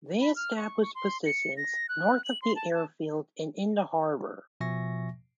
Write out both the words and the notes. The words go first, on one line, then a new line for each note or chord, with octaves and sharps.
They established positions north of the airfield and in the harbor.
B5
F6
C#6
C#6
C6
C#7
A#6
F#6
F#7
C6
A5
A5
B2 F3 E5 G#5 C#6 A#6